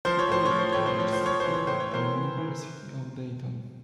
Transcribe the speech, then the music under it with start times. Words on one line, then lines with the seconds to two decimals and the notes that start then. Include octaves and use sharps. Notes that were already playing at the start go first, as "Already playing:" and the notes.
He played college soccer at the University of Dayton.
0.05 F3 C5
0.19 C#5
0.28 A2 C5
0.45 C#5
0.51 F3
0.59 C5
0.72 A2 C#5
0.86 C5
0.98 F3 C#5
1.13 C5
1.21 F3 C#5
1.40 E3 C5
1.54 C#5
1.67 A2 C5
1.80 C#5
1.91 E3 A#4 C5
2.14 E3
2.38 E3